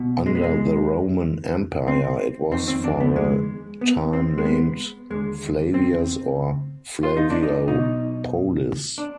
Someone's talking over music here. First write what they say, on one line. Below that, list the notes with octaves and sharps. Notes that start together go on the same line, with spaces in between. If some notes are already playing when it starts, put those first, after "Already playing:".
Under the Roman Empire, it was for a time named Flavias or Flaviopolis.
Already playing: C2 B2
G#3
B3
G#3
C4
F2 D#3 C4
C4
D4
B3
G#3
B3
C4
G#3
B3
D#2 D3 G#3
C4
F4
D#4
D4
D#4
B1 B2 D#4
D4